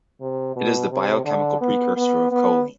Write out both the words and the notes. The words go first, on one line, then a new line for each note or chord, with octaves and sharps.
It is the biochemical precursor of choline.
C3
B2
C3
D3
B3
B3
B3